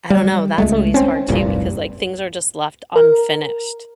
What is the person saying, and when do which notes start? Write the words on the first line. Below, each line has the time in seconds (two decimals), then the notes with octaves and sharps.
I don't know. That's always hard too because like things are just left unfinished
0.10 G3
0.58 C#2 G#3 A3
0.94 C4 C#4
1.28 F1 C2 G2 A#2
2.96 A#4